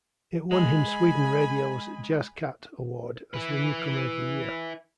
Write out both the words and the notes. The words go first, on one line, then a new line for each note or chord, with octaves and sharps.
It won him Sweden Radio's Jazz Cat award as the newcomer of the year.
G#3 G#5 B5
E4 B4